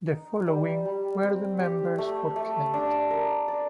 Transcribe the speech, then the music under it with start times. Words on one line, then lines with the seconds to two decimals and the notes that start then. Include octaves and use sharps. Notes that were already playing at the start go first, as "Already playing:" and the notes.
The following were the members for Kent.
0.10 D#4
0.47 G3
0.85 G3
1.22 C4
1.60 G4
1.98 A3
2.36 A3
2.74 D4
3.11 A#4
3.48 D5